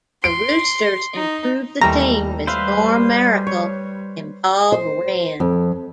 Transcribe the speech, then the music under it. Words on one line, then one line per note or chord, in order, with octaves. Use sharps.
The Roosters improved the team with Norm Maracle and Bob Wren.
C6 D7
D#4
D#2 E3 G3 A3 A#5
G3 B4 C5 E5 F5
C#5
C5
F2